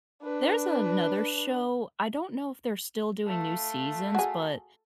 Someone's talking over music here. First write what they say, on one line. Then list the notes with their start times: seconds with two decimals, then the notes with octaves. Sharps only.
there's another show. I don't know if they're still doing new seasons, but
0.24 D4 B4
3.26 A3 F4
4.15 F#4 G#4